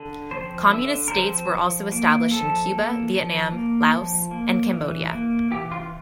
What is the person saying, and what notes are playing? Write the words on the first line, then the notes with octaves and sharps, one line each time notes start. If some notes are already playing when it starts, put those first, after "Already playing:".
Communist states were also established in Cuba, Vietnam, Laos, and Cambodia.
Already playing: D3
F3 C4 C5
D3 E5
A#4
F3 C4 C5
F3
A#3
F3 A4
A#3
F3
A#3
F3
A#3
E3
A#3
E3 G4
F4